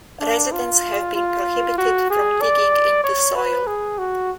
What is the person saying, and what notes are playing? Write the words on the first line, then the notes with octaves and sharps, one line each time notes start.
Residents have been prohibited from digging in the soil.
D4
F4
F4
F#4
G#4
D5
C#5
B4
G#4
F#4